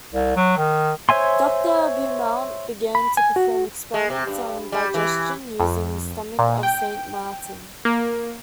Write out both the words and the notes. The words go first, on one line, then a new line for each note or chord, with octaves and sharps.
Doctor Beaumont began to perform experiments on digestion using the stomach of Saint Martin.
C2
F#3
D#3
C5 C#5 E5 G#5 C6
B5
G#5
F#4
G#3
C3
G2
G3
E3
F2
A#2
G5
A#3